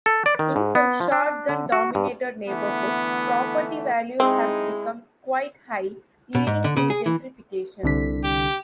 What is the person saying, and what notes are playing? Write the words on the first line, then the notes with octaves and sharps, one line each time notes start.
In some shotgun-dominated neighborhoods, property value has become quite high, leading to gentrification.
A4
D5
D#3
G#2
B3
F3
D4
D3
F#4
G2
D3 E3 A3 B3
G#3 C4 D#4 E4
B2
G#2
D3
C#3
G#4
E3
C2 D3 B6
G4